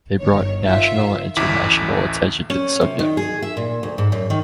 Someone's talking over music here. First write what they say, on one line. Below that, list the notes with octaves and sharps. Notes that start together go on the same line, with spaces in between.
They brought national and international attention to the subject.
G1 D#3 C#5
D#3 F4 E5
A1 D2 A2 E4 D6 B6
C#4
C3
D#3
G#4
E5
A#2
D2
G#2
F#2
D#3